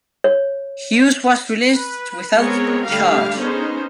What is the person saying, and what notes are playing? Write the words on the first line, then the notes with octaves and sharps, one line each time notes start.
Hughes was released without charge.
C#5
B4
G#3 B3 C4 G#4 A#4 C#5
D3 G3 A3 G4 F5
B3 C#4 D#4 G#4 C5